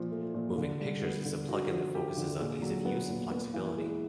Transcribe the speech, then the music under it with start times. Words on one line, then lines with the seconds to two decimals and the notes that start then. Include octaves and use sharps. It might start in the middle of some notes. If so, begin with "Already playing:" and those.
Moving Pictures is a plug-in that focuses on ease of use and flexibility.
Already playing: A#2 F3 F4
0.11 A3
0.34 A#2
0.58 D3
0.80 G3
1.03 B3
1.25 D3
1.49 D3 F#4
1.71 F3
1.94 A3 G4
2.17 D3
2.39 A#2 G#4
2.62 F#3
2.85 B3
3.08 A#2
3.31 B3
3.54 E3
3.78 G#3